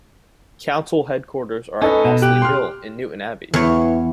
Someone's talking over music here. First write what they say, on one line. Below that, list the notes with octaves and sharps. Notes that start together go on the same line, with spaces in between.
Council headquarters are at Mossley Mill in Newtownabbey.
C#4 D#4 A4 B4
B2
G4 F#6
C6 F6
E2 E3 C#5